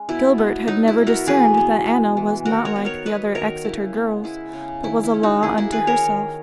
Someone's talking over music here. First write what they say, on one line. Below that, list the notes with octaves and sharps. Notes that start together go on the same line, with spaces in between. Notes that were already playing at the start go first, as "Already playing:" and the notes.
Gilbert had never discerned that Anna was not like the other Exeter girls, but was a law unto herself.
Already playing: G#3 C#4
B2 E4
B3
F#3 D#4
E4
B2
F#4 A#4
E3 G#4 B4
B3
G#3
E3
D#3 F#4 A#4
A#4 C#5
B3
A#4 C#5
F#3 B4 D#5
D#3 A#4 C#5
C#3 E4
B3
G#3 E4
C#3
D#3 E4
E4
C#4
D#4 F#4
A#3 E4 G#4
E4 G#4
D#3 G#4 B4
A#4 C#5
D#3